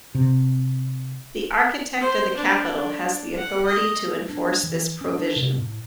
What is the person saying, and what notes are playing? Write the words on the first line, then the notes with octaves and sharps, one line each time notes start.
The Architect of the Capitol has the authority to enforce this provision.
C3
C5
D4
D4
F#5
D#5
D4
E3
C#4
D4
C3
A2